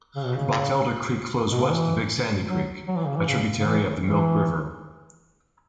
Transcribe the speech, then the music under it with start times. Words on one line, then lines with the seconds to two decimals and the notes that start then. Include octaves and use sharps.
Boxelder Creek flows west to Big Sandy Creek, a tributary of the Milk River.
0.16 C#3
0.25 B2
0.35 C#3
1.51 B2
1.62 C#3
1.71 E3
2.49 F#3
2.88 F#3
2.97 E3
3.06 C#3
3.16 E3
3.26 C#3
3.60 C#3
3.66 E3
4.04 E3